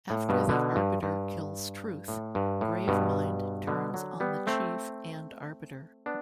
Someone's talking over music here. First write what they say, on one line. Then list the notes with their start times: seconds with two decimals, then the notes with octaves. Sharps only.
After the Arbiter kills Truth, Gravemind turns on the Chief and Arbiter.
0.10 A2
0.29 G2 B2
0.49 B2 D3
0.76 G2
1.03 G2
2.08 A2
2.35 G2
2.61 A2
2.88 G2 B2
3.67 B2 D3
3.94 D3 F#3
4.20 G3 B3
4.47 A3 C4
6.06 B3 D4